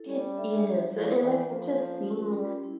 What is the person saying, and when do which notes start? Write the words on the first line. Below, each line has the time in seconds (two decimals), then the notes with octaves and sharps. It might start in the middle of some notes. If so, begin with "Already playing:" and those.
It is, an and I think just seeing,
Already playing: E4 A4
0.08 G3
0.36 D4 A4 E5
0.93 F3 E4 A4 D5 F5
1.22 E3
1.50 F3 A#3 C#4 F4 A4
2.07 C#4 F4 A#4
2.35 G3
2.64 E4